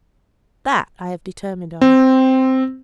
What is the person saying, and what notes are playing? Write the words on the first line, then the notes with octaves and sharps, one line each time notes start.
That I have determined on.
C4